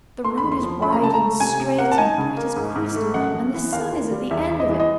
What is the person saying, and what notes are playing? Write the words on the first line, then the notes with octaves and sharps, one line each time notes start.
The road is wide and straight and bright as crystal, and the sun is at the end of it....
A3 C6
B5
E2
C6
F3
C#4 B5
A#5
C#3 A5
A#5
A3
C3 G#5
C3
A#3 F#5
A5
D#4 G#5
C#3
A#3
G#2
G#2
A3
F#2 F#5
F#2
E3
D#2 F5
D#2
G3
E2 E5
E2
D#5
E3
D#5